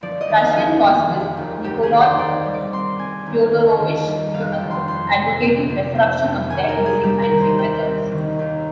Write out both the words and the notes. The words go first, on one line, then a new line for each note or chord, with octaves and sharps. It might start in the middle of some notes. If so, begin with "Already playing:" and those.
Russian Cosmist Nikolai Fyodorovich Fyodorov advocated resurrection of the dead using scientific methods.
F3 D5
D#5
D#2
F5
F3 G#4
F1
F3
D#2
F1 G4
G#4
D#2 D5
C5
D#2 D5
G3
D6
C4 C6
C4 G#5
D#2
D#3
D#3
G3
F1 F5
G5
F3
C6
F2 C6
C3
C3
C3
F1
F1
D#2 G#5
A#4
G3
G#4
G3 G4
A#4
D#2
C5
G3 G5
C4
D#3
D#2